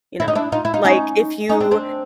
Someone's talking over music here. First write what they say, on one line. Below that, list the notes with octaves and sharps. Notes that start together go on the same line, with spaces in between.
you know? Like, if you,
E4
D#4
D4 E4
D#4 F4
E4
D#4 F4
C#4 D#4
C#4 D#4
C4 D4
C4 D4